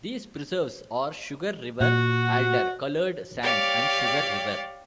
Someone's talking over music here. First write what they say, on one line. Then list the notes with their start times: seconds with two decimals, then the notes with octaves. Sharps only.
These preserves are Sugar River Alder, Colored Sands, and Sugar River.
1.80 A#2 F#4
3.42 G4 C#5 D5 F5 G5